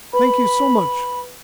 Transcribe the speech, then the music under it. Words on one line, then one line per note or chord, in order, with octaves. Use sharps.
Thank you so much.
B4 B5